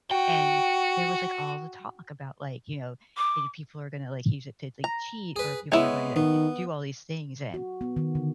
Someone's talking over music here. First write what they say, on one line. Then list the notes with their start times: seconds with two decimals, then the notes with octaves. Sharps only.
and there was, like, all the talk about, like, you know, either people are gonna, like, use it to, like, cheat, or people are going eh, to do all these things, and
0.11 F#4 G5
3.17 D6
4.84 A#5
5.36 G#4 B4
5.72 G#3 B3 E4 C#5
6.16 D#3 B3
7.54 F#4
7.81 B3
7.96 D#3
8.15 D3